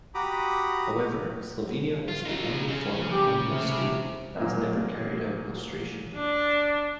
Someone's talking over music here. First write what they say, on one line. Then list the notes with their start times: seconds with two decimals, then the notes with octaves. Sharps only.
However, Slovenia is the only former Communist state that has never carried out lustration.
0.15 F#4 G4 A#5 B5 D6 D#6
2.08 F4
2.25 D#4 F4
2.68 C#3
3.12 G4
3.50 C3
4.36 F#2 A#2
6.15 D4